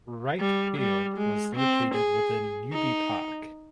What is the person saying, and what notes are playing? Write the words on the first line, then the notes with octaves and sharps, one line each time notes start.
Wright Field was located within Newby Park.
G3
G3
G#3
C4
G#4
D#4